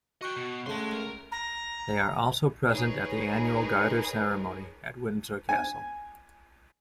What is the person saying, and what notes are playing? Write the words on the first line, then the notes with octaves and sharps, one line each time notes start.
They are also present at the annual Garter Ceremony at Windsor Castle.
F#4 D#5 G5 C#6 F#6
B2
C#2 A3 D#5 C6
A#4
A#5
D#4 G#4 A#4 B4 C#5
G#5